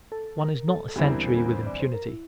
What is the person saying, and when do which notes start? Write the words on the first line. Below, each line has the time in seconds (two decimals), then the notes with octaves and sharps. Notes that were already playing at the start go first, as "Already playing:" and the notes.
One is not a century with impunity.
0.12 A4
0.40 A#4
0.68 A4
0.89 A4
0.96 E2 D3 G3 C4 E4 G4
1.10 A#4
1.27 A4
1.38 A#4
1.52 C5
1.66 D5
1.80 C5
1.94 A#4
2.08 E4